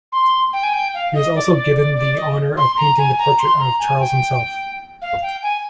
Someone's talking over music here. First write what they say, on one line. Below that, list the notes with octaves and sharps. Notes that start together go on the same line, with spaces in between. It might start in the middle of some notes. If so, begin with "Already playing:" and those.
He was also given the honour of painting the portrait of Charles himself.
C6
G5
G#5
G5
F5
D#5
D5
D5
D5
D5
D#5
C6
A#5
G#5
A#5
C6
A#5
G#5
G5
F5
G5
G#5